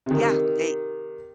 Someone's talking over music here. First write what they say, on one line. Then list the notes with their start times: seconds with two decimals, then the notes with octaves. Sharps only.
Yeah, they
0.06 C3 D#3